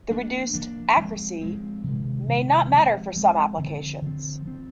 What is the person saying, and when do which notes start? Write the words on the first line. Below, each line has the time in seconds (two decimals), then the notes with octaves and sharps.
The reduced "accuracy" may not matter for some applications.
0.10 F3 A#3 D4
0.54 F3 A#3 D4
0.97 F3 G#3 C4
1.41 F3 G#3 C4
1.84 C3 D#3 G#3
2.28 C3 D#3 G#3
2.72 F3 G#3 C4
3.16 F3 G#3 C4
3.58 D3 F3 C4
4.02 D3 F3 C4
4.46 F3 C4